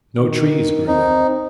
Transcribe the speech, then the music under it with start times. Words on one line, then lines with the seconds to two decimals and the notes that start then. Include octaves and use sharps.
No trees grew there.
0.19 D#3
0.87 C4 D#4